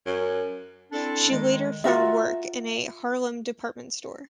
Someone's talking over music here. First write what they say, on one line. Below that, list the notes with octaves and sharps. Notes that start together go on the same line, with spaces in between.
She later found work in a Harlem department store.
F#2
C4 D4 E4 A4 D5
D#3 G#3
F4 F#4 A#4 E5